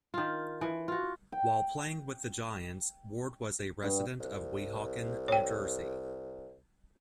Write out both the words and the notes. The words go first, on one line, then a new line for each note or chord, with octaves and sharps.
While playing with the Giants, Ward was a resident of Weehawken, New Jersey.
D#3 F4
E3
F4 F#4
G5
G2
C2
C#5 G5